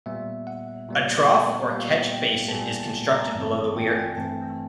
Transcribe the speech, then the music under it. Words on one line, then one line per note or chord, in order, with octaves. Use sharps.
A trough or catch basin is constructed below the weir.
A#2 G3 B3 E5
F#5
A#2 G3 B3
A#2 G3 B3 F5
G5
A5
A#2 G3 B3 G#5
A5
A#5
G2 E3 A3 C4 A5
G5
G#5
G5
G2 E3 A3 C4 A5